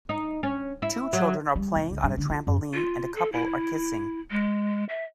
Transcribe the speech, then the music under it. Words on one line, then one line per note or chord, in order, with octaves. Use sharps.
Two children are playing on a trampoline and a couple are kissing.
D#4
C#4
E4
F#3
G3
F1
C#2
G2
D3
F4
F#2
F4
A4
E4
G#3
E5